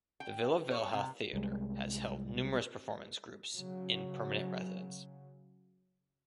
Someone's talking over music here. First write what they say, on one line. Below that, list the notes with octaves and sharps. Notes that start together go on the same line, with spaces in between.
The Vila Velha Theater has held numerous performance groups in permanent residence.
G5
C#5
C3
C2 G3 G#3
C#3 F#3